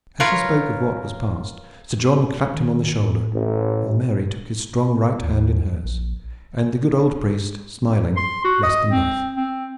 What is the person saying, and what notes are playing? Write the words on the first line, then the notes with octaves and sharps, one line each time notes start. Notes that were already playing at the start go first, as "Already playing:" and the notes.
As he spoke of what was passed Sir John clapped him on the shoulder, while Mary took his strong right hand in hers, and the good old priest smiling blessed them both.
F4 A#4 B4 C#5
D#3
A2
A1
D#2
A#1
C6
F#4
D#5
C4
C4